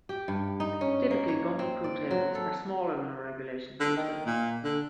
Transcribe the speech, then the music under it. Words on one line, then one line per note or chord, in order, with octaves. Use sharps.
Typically bumper pool tables are smaller than a regulation pool table.
G4
G2
D#4
C#4
A#3
C#5
C4
D5
F#3
A4
D3
D#3
A#2
D3